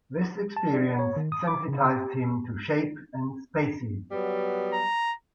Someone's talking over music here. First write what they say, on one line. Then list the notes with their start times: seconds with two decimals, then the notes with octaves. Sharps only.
This experience sensitized him to shape and spaces.
0.57 A5
0.73 D5
0.99 C#5
1.16 D#3
1.32 D#6
1.47 D6
1.68 C#3
1.85 G4
4.11 F#3 G3 B3
4.73 A#5